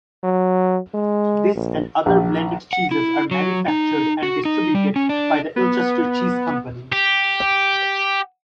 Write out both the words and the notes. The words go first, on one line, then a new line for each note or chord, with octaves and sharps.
This and other blended cheeses are manufactured and distributed by the Ilchester Cheese Company.
F#3
G#3
A#1
A#1
F#5
E4
F#3
D#4
F#4
D#4
G3
C#4
D4
B3
G4